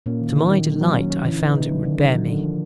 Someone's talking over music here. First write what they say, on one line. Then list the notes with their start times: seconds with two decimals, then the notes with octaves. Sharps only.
To my delight I found it would bear me.
0.06 A#2 A#3 C#4
0.21 D#3
0.36 D#3
0.51 D#3
0.66 F#3
0.81 F#3
0.95 C#4
1.10 C#4
1.25 D3 E3
1.40 D#4
1.54 D3 D#4
1.70 F#3
1.84 D3 D#3
2.00 D#4
2.14 D#3 F#3
2.29 D3
2.44 F3